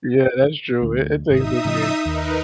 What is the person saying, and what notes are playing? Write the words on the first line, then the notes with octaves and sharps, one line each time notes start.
Yeah, that's true. It it takes the cake.
D2
G#1 D#4 E5 D#6
A2 C#3 F3
D#2 D#4 A#4 B4